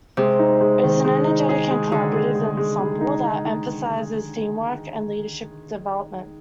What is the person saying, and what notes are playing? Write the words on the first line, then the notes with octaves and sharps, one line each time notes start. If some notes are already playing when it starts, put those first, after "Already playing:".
It is an energetic and collaborative ensemble that emphasizes teamwork and leadership development.
C3 G#3
D#4
G#3
D#3
G#3
D#4
G#4
G#3
D3 G#4
G#4
G#3
G#3
G#3
D#4
D#4
D#4